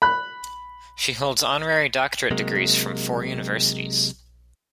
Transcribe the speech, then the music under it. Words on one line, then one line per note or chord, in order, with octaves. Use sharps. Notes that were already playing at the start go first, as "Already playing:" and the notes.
She holds honorary Doctorate degrees from four universities.
B5 F#6
C3 F#3 G#3 A#3